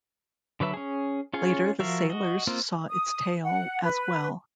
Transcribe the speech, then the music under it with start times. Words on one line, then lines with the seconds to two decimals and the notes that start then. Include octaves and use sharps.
Later the sailors saw its tail as well.
0.60 D3 F#3 B4 E5
0.74 C#4 G#4
1.33 C#4 F4 G#4 C#5
1.79 F3 F#4 A#4 E5 F5
2.10 F#4 D#5
2.47 A#3 C4 F4
2.89 D#6
3.44 F#5
3.83 B4